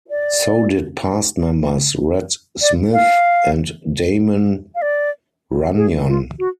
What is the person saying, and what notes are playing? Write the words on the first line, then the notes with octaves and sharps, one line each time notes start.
So did past members Red Smith and Damon Runyon.
D5
D5
F5
F5
D5
G#4
F4
F#4